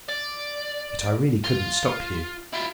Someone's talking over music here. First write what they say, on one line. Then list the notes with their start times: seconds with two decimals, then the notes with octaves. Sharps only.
But I really couldn't stop you.'
0.09 D5
1.44 F4
2.54 E4 F4